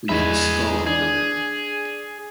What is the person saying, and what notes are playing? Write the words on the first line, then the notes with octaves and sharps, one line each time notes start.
We had a skull on another.
E2 G#3 G#4 E5 B5
D4 G#4